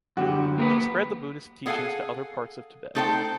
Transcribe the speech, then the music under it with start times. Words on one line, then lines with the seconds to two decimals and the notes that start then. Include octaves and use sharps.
She spread the Buddhist teachings to other parts of Tibet.
0.17 F#2 D3 F#4 G4
0.58 A#3 A#4 B4
1.66 B3 G#4 A4 F5 F#5 G#5
2.95 A3 D#4 A4 C5 F5 G5